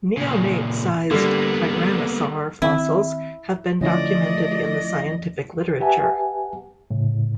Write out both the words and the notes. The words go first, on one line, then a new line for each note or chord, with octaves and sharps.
Neonate sized tyrannosaur fossils have been documented in the scientific literature.
A#2 C#3
D3 G3 A#3 B3
D#3 C4 E4
D3 F3 A3 C#4 E4 D5 D#5
G4 B4 E5 F#5 G#5 A5
A2 C#3